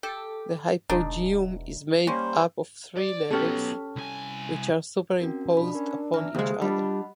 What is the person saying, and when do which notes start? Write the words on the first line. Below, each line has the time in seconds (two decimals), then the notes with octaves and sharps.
The Hypogeum is made up of three levels, which are superimposed upon each other.
0.03 G4 A4
0.90 E1 D4 D#4
2.07 G3 A#3 C#4 C5
2.97 D5
3.30 F#3 B3 C#4 G4 A4
3.96 C2 G#5
5.20 C4 C#4 F#4 A#4
5.57 B2 D4 B5
5.75 C#4 A#4
6.14 E3 E5 A#5 F6
6.35 D#2 C#3 G#3 C5 D#6
6.62 G3 D4 F4 D#5 F#5 B5